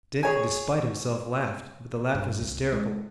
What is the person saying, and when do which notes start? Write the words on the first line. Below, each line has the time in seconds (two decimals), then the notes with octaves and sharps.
Dick, despite himself, laughed, but the laugh was hysterical.
0.23 G#4 C#5 G#5
2.15 G2
2.42 C2
2.72 G#3